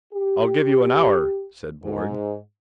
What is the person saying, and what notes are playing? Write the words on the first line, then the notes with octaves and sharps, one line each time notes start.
"I'll give you an hour," said Borg.
G4
G#2